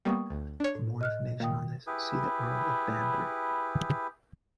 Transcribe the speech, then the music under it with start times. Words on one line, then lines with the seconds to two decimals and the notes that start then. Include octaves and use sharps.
For more information on this, see the Earl of Banbury.
0.05 G3 A#3 B3 G5 C#6 D#6
0.30 D2
0.60 D4 C#5
0.75 A2
1.01 D#5 F6 F#6
1.40 A#2 D#3 G5 D#6
1.87 E4 G4 G#4 B4